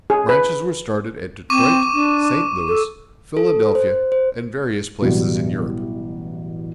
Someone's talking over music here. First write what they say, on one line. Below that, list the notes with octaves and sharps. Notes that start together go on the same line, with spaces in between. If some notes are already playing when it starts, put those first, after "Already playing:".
Branches were started at Detroit, St. Louis, Philadelphia, and various places in Europe.
G#4
B4
C4 C#6 D6 D#7
D4
A4
A4
C5
C5
A1 B2 F#3 G3 F#4